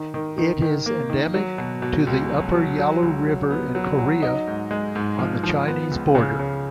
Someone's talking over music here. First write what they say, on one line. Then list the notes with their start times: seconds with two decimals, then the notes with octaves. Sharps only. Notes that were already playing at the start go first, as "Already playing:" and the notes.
It is endemic to the upper Yalu River in Korea, on the Chinese border.
Already playing: D#3
0.14 D#3
0.38 D#3
0.62 D#3
0.86 A#3
1.10 D#3
1.34 F#3
1.58 B2
1.82 B2
2.07 C#2
2.30 F#3
2.54 F#3
2.78 F#3
3.02 C#2
3.27 F#3
3.51 B3
3.75 F#3
3.99 F#3
4.23 D#4
4.47 G#2
4.71 G#3
4.95 G#2
5.19 F3
5.43 F3
5.68 B3
5.91 C#2
6.15 C#3
6.39 C#3